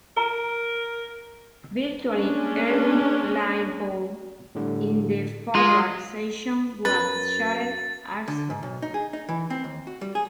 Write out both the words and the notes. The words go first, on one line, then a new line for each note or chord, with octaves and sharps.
Virtually every light bulb in the forward section was shattered also.
A#4 A#5
G#3 A#3 C#4 D4
A2 D3 G3
G#3 F4 D#6 F6 A#6
F#2 B4 A6
D3
G#2
B1
D#4
G#4
D#4
E3
C4
D#2
F#4
G3
G#4